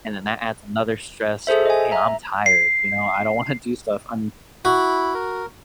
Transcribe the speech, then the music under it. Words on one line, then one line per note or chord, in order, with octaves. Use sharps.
And then, that adds another stress of, "Hey, I'm tired," you know? "I don't wanna do stuff, I'm"
G#4 A4 C5 E5
D#5 G#5
E5 A#5
C7
E4 F#4 B5
A#4